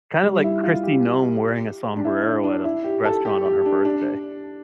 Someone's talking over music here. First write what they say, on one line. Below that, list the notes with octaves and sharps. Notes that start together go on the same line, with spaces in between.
Kinda like Kristi Noem wearing a sombrero at a restaurant on her birthday.
G3
E4
F4
G4
D4
E4
D4
D4
E4
G4
A4
G4
G4
D4
D4